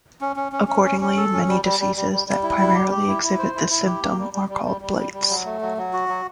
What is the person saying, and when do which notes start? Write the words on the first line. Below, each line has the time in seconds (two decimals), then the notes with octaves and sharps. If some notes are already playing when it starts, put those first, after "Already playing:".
Accordingly, many diseases that primarily exhibit this symptom are called blights.
0.21 C#4
0.36 C#4
0.52 C#4
0.68 C#4
0.85 C#4
1.01 C#4
1.17 A4
1.33 C#4
1.49 G3
1.64 G3
1.80 G3
1.96 G3
2.12 G3
2.28 G3
2.43 E4
2.60 G3
2.75 G4
2.90 G4
3.07 E4
3.23 E4
3.38 C5
3.55 E4
3.70 E4
3.87 G4
4.02 A#3
4.19 G3
4.33 G3
4.49 G3
4.65 G3
4.81 G3
4.98 G3
5.13 G3
5.29 F#3
5.45 A3
5.61 F#3
5.77 F#3
5.93 F#4
6.09 F#3